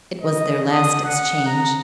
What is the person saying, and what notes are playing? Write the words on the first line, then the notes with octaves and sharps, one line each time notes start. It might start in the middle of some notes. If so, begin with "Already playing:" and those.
It was their last exchange.
D#5
D#6
F#5
A#5